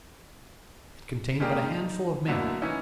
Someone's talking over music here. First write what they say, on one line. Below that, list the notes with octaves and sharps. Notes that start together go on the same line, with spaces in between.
It contained but a handful of mail.
C#3 G#3 A#3 D4 G4 A#4
D#4
B2 D3 F#3 A3 A#3 E4
E3 C#4 D#4 E4